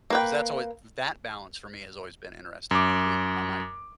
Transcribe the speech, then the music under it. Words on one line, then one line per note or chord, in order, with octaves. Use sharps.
'Cause that's alway th that balance for me, has always been interesting, 'cause we I might
A#3 B4 G5
F#2 D6